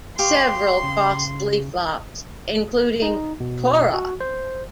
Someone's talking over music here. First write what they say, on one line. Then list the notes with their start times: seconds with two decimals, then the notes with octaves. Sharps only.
Several costly flops, including Tora!
0.19 G4 F5 C6 C#6
0.83 C#3
3.02 D#4
3.40 B2
3.94 F#4
4.20 C5